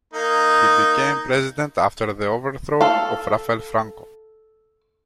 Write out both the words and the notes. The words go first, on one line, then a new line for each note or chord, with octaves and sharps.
He became president after the overthrow of Rafael Franco.
A#3 D#4
A4 F5